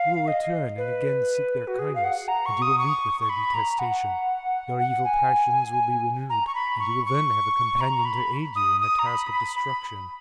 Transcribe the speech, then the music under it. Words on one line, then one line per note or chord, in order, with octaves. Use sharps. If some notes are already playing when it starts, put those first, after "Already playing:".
You will return and again seek their kindness, and you will meet with their detestation; your evil passions will be renewed, and you will then have a companion to aid you in the task of destruction.
Already playing: F5
D#5
B4
F#4
G#4
F5
F#5
A#5
C#6
D#6
C#6
C#6
B5
A#5
F#5
F#5
G#5
A#5
C#6
B5
C#6
C#6
A#5
B5
D#6
D#6
A#5
B5
B5
B5